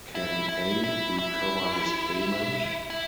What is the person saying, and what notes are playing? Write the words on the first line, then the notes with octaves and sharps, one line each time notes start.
Can A recover his payment?
E4
E4
E4
E4
E4